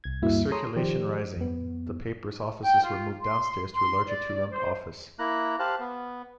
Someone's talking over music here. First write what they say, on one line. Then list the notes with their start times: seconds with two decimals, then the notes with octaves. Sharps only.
With circulation rising, the paper's offices were moved downstairs to a larger two-roomed office.
0.04 C2 G#6
0.22 D2 G2 A#3 E4 F#4 E5
0.52 G#4 A4 C#5 A#5 C6 D#6
0.76 D#3 F3 G4 C5 D5
1.36 F2 B3
2.62 G5
2.83 F4
3.21 C6
3.74 C6
4.07 D5
4.51 C5
5.19 A#3 E4 A#5 F#6
5.59 G4 C5 F5 A5 F#6
5.80 B3